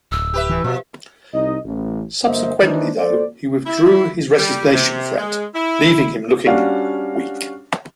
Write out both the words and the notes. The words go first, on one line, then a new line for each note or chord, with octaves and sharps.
Subsequently, though, he withdrew his resignation threat, leaving him looking weak.
D1 E6
G4 B4 E5
E3
B2 F3
C2 D#4 D#5
A1
G1 A#3 C5 D#5 E5
D#3 E3 D4 D#4 C5
A4 C5 D5
E4
G3
C3
G#3
E4
G3 C#4 D4 F#4 F5